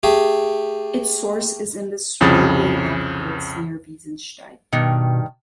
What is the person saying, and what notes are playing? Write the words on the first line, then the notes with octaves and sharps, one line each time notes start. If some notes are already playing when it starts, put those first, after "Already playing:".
Its source is in the Swabian Alb hills near Wiesensteig.
A3 G4 G#4
C2 F2 C#3 D#6 A6
G2 B2 D#3